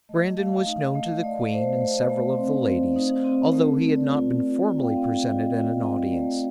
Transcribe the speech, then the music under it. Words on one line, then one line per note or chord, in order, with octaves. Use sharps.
Brandon was known to the queen and several of the ladies, although he had not been formally presented at an audience.
A3 D#5
A3 F5
D#4 F5
A3 D#5
A3 D5
A3 C5
A3
A3
C4
C4
D#4
C4
A3 A#4
A3
D5
F4
F4 D5
F4
G5
F5
C4
F4 D#5
F4
C4
A3 D5